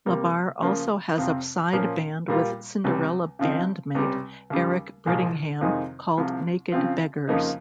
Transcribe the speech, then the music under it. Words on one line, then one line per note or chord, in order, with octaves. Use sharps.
LaBar also has a side band with Cinderella bandmate Eric Brittingham called Naked Beggars.
C3 G3 A#3
C#3 F3 A#3 F4
F2 C3 F3 C4
A#2 F3 A#3 C#4
A#2 G3 A#3 F4
C#2 C3 G3
C#3 F3 C4 D#4
C#2 C3 G3
D#2 C#3 G3
C2 A#2 F3 G#3
F2 C3 D#3 G#3 D#4
C2 C3 F3
C#3 F3 C4 F4
F2 C#3 F3 A#3 D#4